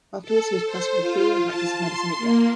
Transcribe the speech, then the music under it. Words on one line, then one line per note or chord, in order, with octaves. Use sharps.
Afterwards, he was professor of the theory and practice of medicine at Yale.
A4
C5
F4
A5
C6
A#3